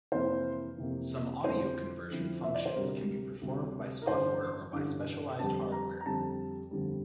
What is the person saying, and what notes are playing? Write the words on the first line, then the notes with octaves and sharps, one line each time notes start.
Some audio conversion functions can be performed by software or by specialized hardware.
F2 C3 E3 A#3 C5
F2 C3 E3 A#3
F2 D3 F3 C4 E4 C5
F2 D3 F3 C4 E4
E5
D5
C5
D2 C3 G3 A#4
D2 C3 G3
A#4
A1 G2 D3 C5
A1 G2 D3
F2 D3 G3 A5
A#5
A#5
F2 D3 G3 A5
G1 F2 D3 G3